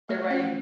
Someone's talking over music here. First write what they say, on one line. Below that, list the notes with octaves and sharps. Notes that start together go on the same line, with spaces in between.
Their writing.
A3
C#4